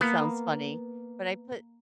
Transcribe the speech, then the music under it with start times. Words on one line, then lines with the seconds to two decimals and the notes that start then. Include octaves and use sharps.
sounds funny, but I put
0.01 A#3 B3